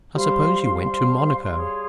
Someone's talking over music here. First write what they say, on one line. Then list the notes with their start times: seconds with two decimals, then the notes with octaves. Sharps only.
"I suppose you went to Monaco?"
0.14 G3 C5 F5 C6
0.82 C5 F5 C6
1.51 G#4 C#5 F5 C6